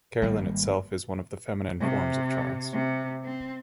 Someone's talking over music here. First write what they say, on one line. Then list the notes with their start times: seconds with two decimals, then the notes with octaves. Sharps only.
Caroline itself is one of the feminine forms of Charles.
0.22 G#1 G3 A#3
1.80 C3
2.73 C3
3.24 C4